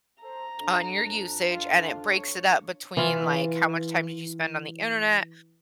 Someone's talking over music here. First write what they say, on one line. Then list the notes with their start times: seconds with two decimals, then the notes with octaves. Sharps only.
on your usage and it breaks it up between, like, how much time did you spend on the internet
0.22 A4 C5 A#5
0.59 F2 D4
1.50 F4
2.05 C#5
2.97 E3 F4